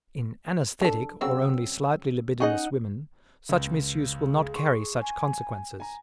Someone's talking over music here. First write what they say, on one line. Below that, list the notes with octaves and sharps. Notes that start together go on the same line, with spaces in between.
In anaesthetic or only slightly libidinous women, such misuse will not carry such consequences.
D4 A4
C#3 F#3 C4 E6
C#4 D#4 G#4 D#5 F#5
C#2
G#4
C6 C#6
G#5
G#5 A#5